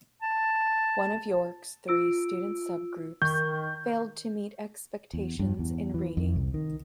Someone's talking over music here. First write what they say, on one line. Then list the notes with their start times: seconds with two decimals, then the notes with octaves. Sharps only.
One of York's three student subgroups failed to meet expectations in reading.
0.22 A5
1.88 F4 E6 D7
3.22 D#3 C#6 G6
5.13 E2
5.39 G2
5.59 E2
5.94 E3
6.17 F2
6.36 C2
6.54 D#3